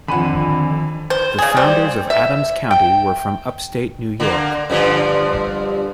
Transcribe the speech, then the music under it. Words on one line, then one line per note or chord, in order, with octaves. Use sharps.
The founders of Adams County were from upstate New York.
F2 D3 D#3 F#5 G#5 B5
C5
C#3 G#4
G3 C5
E5
G5
D3 A#3
G2 D3 F3